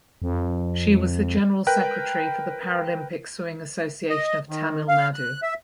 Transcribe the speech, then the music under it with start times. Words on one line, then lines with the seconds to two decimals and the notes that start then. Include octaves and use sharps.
She was the General Secretary for the Paralympic Swimming Association of Tamil Nadu.
0.22 F2
1.67 A#4 B4 G5 F#6
4.10 D#5
4.49 D#3
4.89 F5
5.14 F#6
5.43 E5